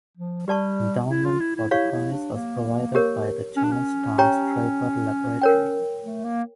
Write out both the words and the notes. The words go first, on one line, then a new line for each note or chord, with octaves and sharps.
Endowment for the prize was provided by the Charles Stark Draper Laboratory.
F3
G3 G4 D5 A5 C#6
E4
F4
E4
E4
E4 G4 C#5 F5 C#6
E4
D4
A#3
G4 A#4 C#5
C#4
D4
C#4
G4 C#5 G5 A#5 C#6
A#4 C#5 G5
A3
A#3